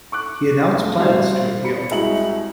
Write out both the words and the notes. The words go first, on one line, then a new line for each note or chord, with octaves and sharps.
He announced plans to appeal.
C#6 D6 F#6
F1
G3 E4 F#4 C5 F5
B5 C#7
C2 G#3 E4 F#4 F#7